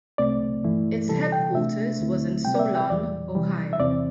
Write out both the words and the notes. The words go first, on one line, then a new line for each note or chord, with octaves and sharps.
Its headquarters was in Solon, Ohio.
C2 C3 A3 C4 D5
G2 E3 A3 E4
C3 E3 G3 A4
G5
C3 A3 D4 E5
D2 D3 A3 C4 E4
C3 G3 C4 G5
D5
E5
G5
E2 E3 G3 D5
C3 E3 G3
E5
E2 C3 E3 C4 D5